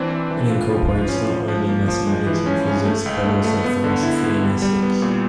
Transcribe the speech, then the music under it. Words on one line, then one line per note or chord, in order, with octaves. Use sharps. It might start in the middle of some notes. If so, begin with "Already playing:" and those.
It incorporates not only mathematics and physics, but also philosophy and ethics.
Already playing: E3 C4 D4
E3
E3
F4
F3
F4
C#4
F3
F3
A#3
F3
G#3
E3
C#4
C#4
A3
C#2
A3
A3
B3
D3
E4
B3
G3
G3
B3
A#2